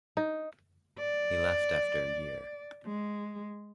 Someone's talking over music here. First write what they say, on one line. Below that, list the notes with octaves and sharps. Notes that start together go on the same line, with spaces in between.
He left after a year.
D#4
D5
G#3